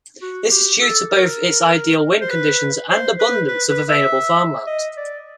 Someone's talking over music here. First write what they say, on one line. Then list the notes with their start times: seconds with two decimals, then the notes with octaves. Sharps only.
This is due to both its ideal wind conditions and abundance of available farmland.
0.22 F#4
0.51 G4
0.81 A4
1.11 A#4
2.21 C5
2.30 B4
2.90 C5
3.20 B4
3.48 B4
3.69 B4
3.89 E5
4.67 D#5
4.97 D5